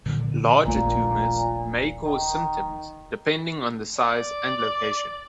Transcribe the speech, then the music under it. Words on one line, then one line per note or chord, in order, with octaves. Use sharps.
Larger tumors may cause symptoms, depending on the size and location.
A#2 D3 F3
D#1 A#1 A#2 A3
D#3
D5